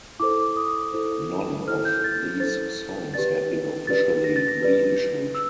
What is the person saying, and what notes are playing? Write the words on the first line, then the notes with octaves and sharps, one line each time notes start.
None of these songs had been officially re-issued.
E4 A4 C5 D6
D#6
E4 A4 C5
E4 A4 C5 F6
G6
A6
E4 A4 C5 A6
G4 B4 D5 A6
G4 B4 D5 A6
A#6
A6
A#6
G4 B4 D5
E6